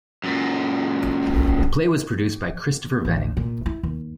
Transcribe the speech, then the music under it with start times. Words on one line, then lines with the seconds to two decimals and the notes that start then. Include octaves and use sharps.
The play was produced by Christopher Venning.
0.24 F#2 A#2
3.05 A1
3.37 A#2
3.66 E4
3.83 D#2